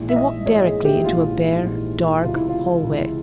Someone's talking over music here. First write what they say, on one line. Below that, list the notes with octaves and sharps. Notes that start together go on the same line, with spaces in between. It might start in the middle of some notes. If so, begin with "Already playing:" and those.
They walked directly into a bare, dark hallway.
Already playing: A#1 G#2 E3
E5
D#5
A#1 G#2 E3 C#5
G#4
G4
A#1 G#2 E3 F4
A#1 G#2 E3
C#2 C3 E3 F4
E4
F4
C#2 C3 E3